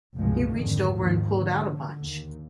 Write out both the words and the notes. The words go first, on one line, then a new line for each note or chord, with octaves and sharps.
He reached over and pulled out a bunch.
F1 C#2 G2 B2 F3 G#3
F2 G#2 D3 D#3
D#2 G#2 D#3 F3
D3
D#2